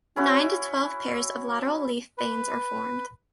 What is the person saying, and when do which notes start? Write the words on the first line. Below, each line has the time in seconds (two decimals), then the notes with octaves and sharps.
Nine to twelve pairs of lateral leaf veins are formed.
0.16 C#4 E4 F#4
2.18 B4